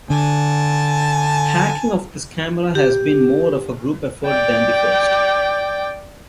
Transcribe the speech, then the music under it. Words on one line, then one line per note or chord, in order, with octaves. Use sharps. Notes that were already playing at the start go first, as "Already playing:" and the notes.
Hacking of this camera has been more of a group effort than the first.
D3 G#5 A5
G4
D5 G5